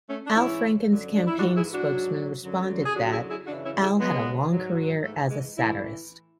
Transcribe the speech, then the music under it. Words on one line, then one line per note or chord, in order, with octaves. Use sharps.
Al Franken's campaign spokesman responded that, Al had a long career as a satirist.
A3 C#4
D4
G#2 E3 C#4 E4
F#2 D3 F#3
D4
E4
G#2 E3 D4 F#4
E4 G#4
D4 F#4
G#2 F#3
F#2 D3 F#3
G#4
F#2 D3 F#3 D4 F#4
F#4
E4 G#4
E4 G#4
F#2 C#3 E3 D4 F#4
C#4 E4
E4 G#4
D2 C#3 F#3 G#3 B3
G#2 F#3
G#2 E3 A3
G#3
A2 E3 E4